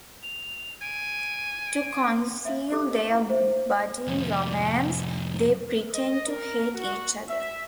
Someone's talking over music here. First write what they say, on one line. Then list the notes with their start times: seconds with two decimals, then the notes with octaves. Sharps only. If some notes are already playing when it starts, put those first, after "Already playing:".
To conceal their budding romance they pretend to hate each other.
0.23 F7
0.82 G#5 D7
1.66 D7
2.45 E5 F5
2.72 G4 A4 E5 D6 D#6
2.91 A#4 D#5
3.10 C#4 E4 F#5 C#6
3.30 C5 E5
4.08 C2 F2
5.94 D#5
6.27 A#4
6.74 F#4
7.27 E5